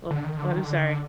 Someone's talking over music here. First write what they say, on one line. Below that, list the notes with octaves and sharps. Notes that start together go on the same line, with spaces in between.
oh, I'm sorry,
D3
D#3
D3
D#3
D3